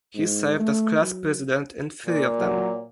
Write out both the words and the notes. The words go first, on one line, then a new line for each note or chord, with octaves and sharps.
He served as class president in three of them.
G#2
A3
F#3
A#2
F#3